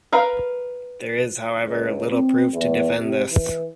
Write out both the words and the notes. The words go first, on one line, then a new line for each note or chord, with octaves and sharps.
There is, however, little proof to defend this.
A#4 B4 F5
C#2
C4
E2
C3
E3